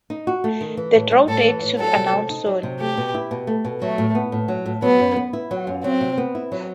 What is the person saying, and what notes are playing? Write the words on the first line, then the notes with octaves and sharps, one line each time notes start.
The draw date to be announced soon.
D#4
F#4
A3
D#3
E3
A2
G3
A2 A4
E3
A2
F#3 A4
C3
C4
D#4
F#3
C3
A3 G4
B2
E4
B2
A3
B2
F#3 A3
A2
B3
A2
F#3
A2
F#3 B3
F#2
B3
E4
F#3
F#2
F#3 C4
C3
B3
E4
F#3